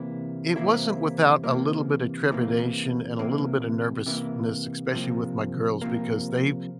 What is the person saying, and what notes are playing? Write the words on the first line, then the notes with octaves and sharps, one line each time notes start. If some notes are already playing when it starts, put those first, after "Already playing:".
it wasn't without a little bit of trepidation and a little bit of nervousness, especially with my girls because they
Already playing: C3 E3 A#3 E4
C3 E3 A#3 E4
C3 E3 A#3
C3 E3 A#3
C3 E3 A#3
C3 E3 A#3
C3 F3 A#3
C3 F3 A#3